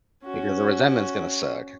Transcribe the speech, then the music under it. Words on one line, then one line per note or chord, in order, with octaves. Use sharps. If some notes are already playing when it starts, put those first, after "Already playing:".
Because the resentment's gonna suck.
C#4 F#4